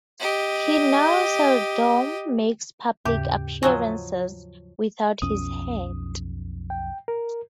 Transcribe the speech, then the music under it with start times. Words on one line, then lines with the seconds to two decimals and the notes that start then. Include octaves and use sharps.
He now seldom makes public appearances without his hat.
0.20 G4 D#5
3.05 D#2 G#2 C#3 G4
3.63 F3 F#3 D#5 G#5 C#6 E6
5.22 B1 F2 C#4 D#6
6.70 G5
7.08 A#4